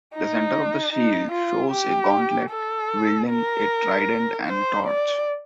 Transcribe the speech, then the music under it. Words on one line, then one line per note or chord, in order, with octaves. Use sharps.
The center of the shield shows a gauntlet wielding a trident and a torch.
D#4
D#4
F4
G4
A4
A#4
C5
D5